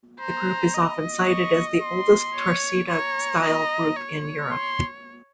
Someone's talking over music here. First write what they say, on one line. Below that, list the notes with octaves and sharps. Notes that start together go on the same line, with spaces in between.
The group is often cited as the oldest torcida style group in Europe.
C5 A#5
D#5
C#6
C6
C#5
C#5 A#5
D#5
C#5
C6